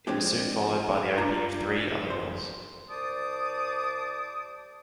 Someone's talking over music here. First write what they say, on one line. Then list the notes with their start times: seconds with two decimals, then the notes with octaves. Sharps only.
It was soon followed by the opening of three other mills.
0.07 F3 G#3 C4 D4 G4
1.18 D4 F4 A#5
2.10 C5
2.90 C2 C5 D5 A5 D6 D#6